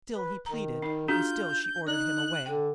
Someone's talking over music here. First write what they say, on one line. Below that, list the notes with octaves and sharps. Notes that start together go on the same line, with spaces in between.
Still he pleaded, and still she ordered him away.
B4
D#3 A#5
D#4
D4 F4 F#4 G#4 G6
D#4 D5 F#6
D3 G5